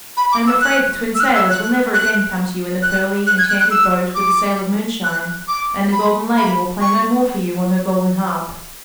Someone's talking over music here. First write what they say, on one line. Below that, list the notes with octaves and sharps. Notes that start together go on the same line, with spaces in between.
I am afraid the Twin Sailors will never again come to you in the pearly, enchanted boat with the sail of moonshine; and the Golden Lady will play no more for you on her golden harp.
B5
D6
E6
F#6
E6
F#6
E6
F#6
F#6
F#6
F#6
G#6
F#6
F#6
E6
D6
F#6
D6
B5
B5
C#6